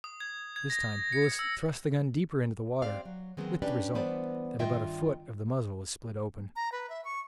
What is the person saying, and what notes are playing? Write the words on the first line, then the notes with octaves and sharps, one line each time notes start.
This time Willis thrust the gun deeper into the water, with the result that about a foot of the muzzle was split open!
D#6
G#6
G#6
A#6
C#7
E6
C4 G4 D5 F5
F#3
D#3 F#3 G#3 B3 C4
C#4 D4 G4 B4 C#5 D5
E3 G3 B3 B4 C5 D5
G2 D#3 F4 D#5 E5 G5
A#5
B4
E5
C#6